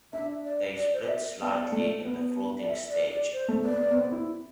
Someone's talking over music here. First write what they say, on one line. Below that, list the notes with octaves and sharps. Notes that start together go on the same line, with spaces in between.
They spread slightly in the fruiting stage.
D4 E5
D5
D5
C5
D5
E5
B3 D5
A3
B3
D5
E5
D5
D5
C5
A3
B3 D5
B3
B3
C4
E4